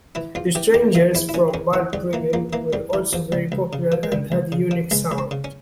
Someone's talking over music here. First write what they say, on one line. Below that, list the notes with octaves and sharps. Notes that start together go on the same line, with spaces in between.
The Strangers from Balbriggan were also very popular and had a unique sound.
E3 E4
E2 F4
E3 G4
E2 G4
E3 F4
E2 E4
E4
E3 C#4
E2 C#4
E3 C4
E2 G3
E3 A#3
E2 A#3
E3 A#3
E2 G3
E3 G3
E2 F3
C#2 G3
C#2
C#3
F3
G#3
C#2 G3
C#2
C#3
F3
C#2 G#3
C#2
C4
C#3
C#4